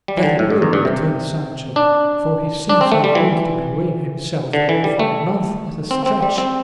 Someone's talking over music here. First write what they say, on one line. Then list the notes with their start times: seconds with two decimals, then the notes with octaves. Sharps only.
"That he will," returned Sancho, "for he seems in a mood to bewail himself for a month at a stretch."
0.08 G3
0.17 E3
0.23 D3
0.39 A2
0.50 G2
0.62 E2
0.73 G2
0.85 C3
1.76 D4
2.69 D4
2.81 C4
2.92 A3
3.04 G3
3.15 E3
4.53 D3
4.69 E3
4.84 G3
4.99 A3
5.91 C4
6.06 C4
6.22 G3
6.38 C4